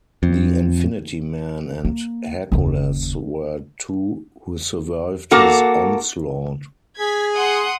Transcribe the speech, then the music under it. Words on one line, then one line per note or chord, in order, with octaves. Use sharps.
The Infinity-Man and Hercules were two who survived his onslaught.
F2
A#3
F#1 D#2
A#3 F#4 A4
G#4 G#6 B6
F#5 C6 D#6